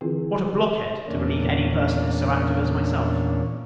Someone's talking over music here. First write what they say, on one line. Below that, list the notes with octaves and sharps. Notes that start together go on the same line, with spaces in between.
What a blockhead, to believe any person is so active as myself!
D3 E3 C4 E4 F4 G#4
E2 A#2 A#3 C#4 D4